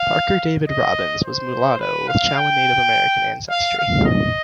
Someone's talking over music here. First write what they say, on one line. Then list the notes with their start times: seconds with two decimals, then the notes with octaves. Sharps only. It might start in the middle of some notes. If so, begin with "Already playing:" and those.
Parker David Robbins was Mulatto with Chowan Native American ancestry.
Already playing: F5
0.68 D#5
1.25 C5
1.80 B4
2.08 F5
2.37 G5
3.50 F5
3.78 F5
4.06 D#5